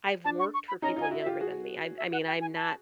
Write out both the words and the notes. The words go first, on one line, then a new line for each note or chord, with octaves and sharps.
I've worked for people younger than me. I'm I mean, I'm not,
D4 A5
C#6
C#6
B5
C#4 D#4 A#5
D#4 F4 G#5
E4 F#4
E5
F4 G4
F#4 G#4
E5
F#5
G5
G#5
A5